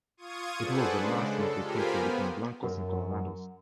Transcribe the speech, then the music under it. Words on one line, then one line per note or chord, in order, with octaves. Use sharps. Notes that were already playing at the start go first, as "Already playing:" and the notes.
It was the last military conflict between Blancos and Colorados.
F4 C#6 D#6 G#6 D#7
G#4 A4 B4 C5 D5 F#5
C#3 G#3 D4
A4
F4 G4 A#4 C5 G#5 B5
B3
F#2